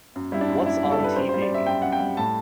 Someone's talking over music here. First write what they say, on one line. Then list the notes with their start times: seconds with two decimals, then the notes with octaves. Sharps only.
What’s on T V?
0.16 F#2
0.32 G3 E4
0.41 D4
0.49 F#2
0.66 G3 E4
0.83 G3
0.92 A4
0.99 G3
1.04 B4
1.16 F#2 C5
1.29 C5
1.34 G3
1.42 D5
1.50 F#2 E5
1.67 F#2 G5
1.82 F#2 F#5
1.92 G5
2.00 G3
2.17 A2 A5